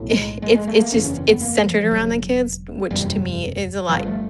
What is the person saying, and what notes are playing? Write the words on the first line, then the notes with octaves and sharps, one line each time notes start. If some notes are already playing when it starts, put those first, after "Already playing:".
i it's it's just it's centered around the kids, which to me is a lot
Already playing: B1 A2
G#3
G#3
G#3
A3
A#3
F#1 E2 C#3 C#4
C#4
C4
B3
A#3
F3
F3
E1 D#2 C#3 F#3
F#1 E2 C3 G3
G1 G2 D3 F3
A3